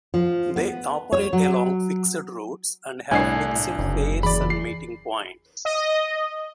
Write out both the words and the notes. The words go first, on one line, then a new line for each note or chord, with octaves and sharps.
They operate along fixed routes, and have fixed fares and meeting points.
F3
B3
C#5
F#3
C2 A2 D4 G#5 C7
F#1
E2 E3 G#4 D5 B5
C7
D#5